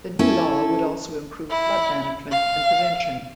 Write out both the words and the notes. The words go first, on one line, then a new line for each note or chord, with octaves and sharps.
The new law would also improve flood management and prevention.
C#4 E4 A4
E4
F5